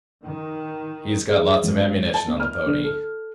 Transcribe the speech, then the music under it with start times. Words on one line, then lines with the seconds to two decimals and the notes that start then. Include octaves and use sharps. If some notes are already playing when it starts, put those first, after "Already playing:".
He's got lots of ammunition on the pony.
0.24 D#3
1.30 G#4
1.63 G#1
2.14 A5
2.28 B3
2.40 F6
2.66 D3
2.84 A4